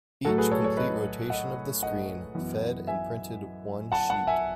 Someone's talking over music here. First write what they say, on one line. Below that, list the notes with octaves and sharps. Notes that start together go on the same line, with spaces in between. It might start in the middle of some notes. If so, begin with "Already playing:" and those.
Each complete rotation of the screen fed and printed one sheet.
A2 F#3 A3 F#4 A4
G#4 B4
A4 C#5
A4 C#5
B4 D#5
D#5 F#5
D#5 F#5
F#2 E3 B3
E5 G#5
F#5 A5
F#5 A5
E5 G#5